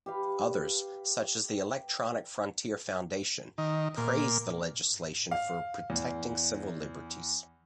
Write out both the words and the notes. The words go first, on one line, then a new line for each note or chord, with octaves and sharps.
Others, such as the Electronic Frontier Foundation, praised the legislation for protecting civil liberties.
G4 B4 F5
D#3
A#2
F5
E2